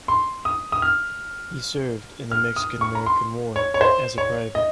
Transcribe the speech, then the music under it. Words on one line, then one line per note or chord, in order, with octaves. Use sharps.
He served in the Mexican-American War as a private.
C6
D#6
D#6
F6
F6
D#6
C#6
A#5
C6
C#5
C#5
C5
C#5
D#5